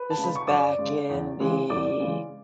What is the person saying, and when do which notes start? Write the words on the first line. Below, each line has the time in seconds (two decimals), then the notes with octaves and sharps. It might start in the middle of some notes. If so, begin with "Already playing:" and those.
this is back in the
Already playing: B4
0.10 A5
0.18 C#3 G#3
0.23 B5
0.35 C#6
0.47 F#2 D5 D6
0.79 C#3 G#3
1.09 E2
1.40 C#3 E3 G#3
1.69 E2 D5 D6
2.00 C#3 E3 G#3